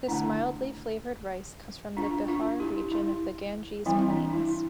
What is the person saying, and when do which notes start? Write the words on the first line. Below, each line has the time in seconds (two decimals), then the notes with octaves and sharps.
This mildly flavoured rice comes from the Bihar region of the Ganges plains.
0.08 D3 A3 D4 E4
1.97 D4 F4
2.28 D4 F4
2.60 E4 G4
2.92 E4
3.85 E3 G3 C4 E4
4.10 D4
4.33 E4